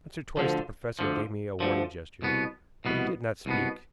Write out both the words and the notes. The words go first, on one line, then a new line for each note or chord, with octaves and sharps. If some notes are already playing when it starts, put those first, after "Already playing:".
Once or twice the professor gave me a warning gesture, but he did not speak.
D2 D3 F3
D2 D3 F3
D2 D3 F3
C2 B2 B3
C2 B2 B3
C2 B2 B3